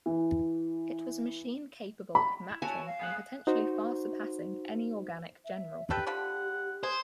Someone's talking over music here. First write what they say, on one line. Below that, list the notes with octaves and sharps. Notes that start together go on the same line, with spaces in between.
It was a machine capable of matching and potentially far surpassing any organic general.
E3
B5
E4
E4 F#4 C#5 G#5 A5
F5
B3 G#4 F#5
D#4 F#4 C5
E5
D4 G4 A4 B4 G5
D3 F3 F#5 B5
C5 G#5 D#6